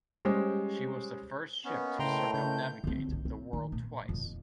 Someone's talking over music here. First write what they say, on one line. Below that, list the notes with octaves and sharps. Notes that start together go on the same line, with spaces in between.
She was the first ship to circumnavigate the world twice.
G3 G#3 C#4 C5
A#3 B3 C#4 D#4 B4
A2 C#3 G5 A#5 C6
C#3 G6
D3 C4
C2 D#3
C4
D#3
A#2
D#1 F2